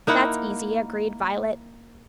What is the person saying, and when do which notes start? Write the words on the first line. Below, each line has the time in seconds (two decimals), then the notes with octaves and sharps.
"That's easy," agreed Violet.
0.07 A#3 D#4 E4 F#5